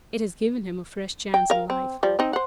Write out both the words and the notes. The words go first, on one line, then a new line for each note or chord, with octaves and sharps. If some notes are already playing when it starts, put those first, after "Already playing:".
"It has given him a fresh chance in life."
G5
A#4 F5
C4
F3 G3
C4 D#4
C5 F#5